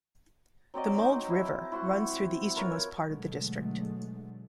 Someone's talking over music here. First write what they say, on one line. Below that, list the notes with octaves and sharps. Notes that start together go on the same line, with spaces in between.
The Mulde River runs through the easternmost part of the district.
F#3 C4 D5 D#5
D#4 C5
E4
E4 F#4 C5 F#5
F4 A#4 B4 C#5
B2 D3 F#3 G#3 A3